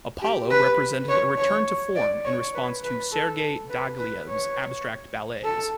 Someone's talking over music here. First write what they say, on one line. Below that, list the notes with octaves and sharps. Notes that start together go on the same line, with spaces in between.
"Apollo" represented a return to form in response to Sergei Diaghilev's abstract ballets.
G4
B4
C#5
C#5
D5
C#5
B4
B4
A4
B4
B4
C#5
A4